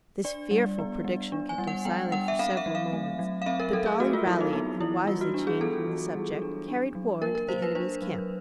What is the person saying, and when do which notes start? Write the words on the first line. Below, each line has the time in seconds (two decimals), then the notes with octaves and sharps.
This fearful prediction kept him silent for several moments; but Dolly rallied, and wisely changing the subject, carried war into the enemy's camp.
0.24 D4 D5
0.51 G3
0.79 B3
1.04 G3
1.32 D4
1.49 G#5
1.58 G3
1.67 F#5
1.85 B3 G5
2.12 G3 F#5
2.28 E5
2.39 C4 F5
2.57 E5
2.66 F#3
2.75 F5
2.93 A3
3.19 F#3
3.42 F5
3.46 C4 E5
3.60 A#4
3.73 F#3 A4
3.86 G#4
4.00 A3 F#4
4.13 F4
4.27 F#3 E4
4.41 D#4
4.53 B3 D#4
4.80 E3 E4
5.07 G3 F4
5.21 F#4
5.34 D4
5.47 G#4
5.61 B3 A4
5.88 E3
6.15 G3
6.42 D4
6.68 D4
6.95 F#3
7.22 A#3 A#4
7.35 A#4
7.48 F#3 C5
7.62 B4
7.75 D4 C5
8.02 F#3